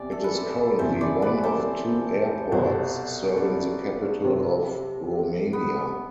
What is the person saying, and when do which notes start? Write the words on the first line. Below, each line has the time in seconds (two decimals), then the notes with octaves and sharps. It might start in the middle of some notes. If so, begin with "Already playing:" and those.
It is currently one of two airports serving the capital of Romania.
Already playing: E2 C3 D5 E5
0.12 A4
0.24 B4
0.36 A4 C5
0.79 E2 C3 E3 C5 E5
1.01 B4 D5
1.22 B4 D5
1.43 A4 C5
2.51 C2 B2 F#3 C4 A4 C5
3.37 B4 D5
4.24 C3 F#3 C4
5.53 B3